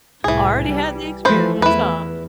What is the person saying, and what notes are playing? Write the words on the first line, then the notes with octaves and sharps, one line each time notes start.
Already had the experience, huh?
C2 A2 E3 G#4
G3
E3 F3 A3 B4 C5
E2 E4 B4